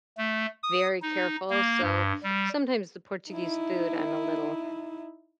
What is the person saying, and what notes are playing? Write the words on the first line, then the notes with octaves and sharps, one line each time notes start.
very careful. So sometimes the Portuguese food, I'm a little
A3
D#6
D#4
A#3
G2
G3
D#4 E4